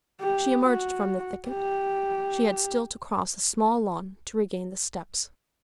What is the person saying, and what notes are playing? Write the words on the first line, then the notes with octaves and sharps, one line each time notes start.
She emerged from "the thicket"; she had still to cross a small lawn to regain the steps.
G4
F#4
G4